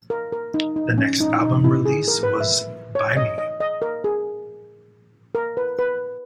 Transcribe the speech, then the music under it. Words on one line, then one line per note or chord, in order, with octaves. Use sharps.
The next album release was Buy Me...
A#4
A#4
D#4
D#4
C#4
D#4
D#4
E4
G#4
A#4
B4
E5
C#5
D#5
D#5
D#5
A#4
G#4
A#4
B4
B4